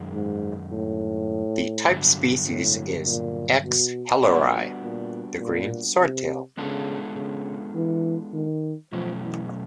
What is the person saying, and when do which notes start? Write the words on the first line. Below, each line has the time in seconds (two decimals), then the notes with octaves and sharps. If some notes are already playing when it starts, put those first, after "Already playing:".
The type species is "X. hellerii," the green swordtail.
Already playing: F#2 D#3 G#3
0.13 G#2
0.71 A2
1.89 G2 D3 F#3
2.47 A2
3.06 A#2
3.65 B2
4.23 A#2 G3 B3 D4 F#4
4.82 A#2
5.40 A#2
5.99 C3
6.57 C#3 G#3 B3 D4 F4 A4
7.16 C#3
7.75 E3
8.33 D#3
8.92 B2 F3 F#3 A3 C#4
9.21 E3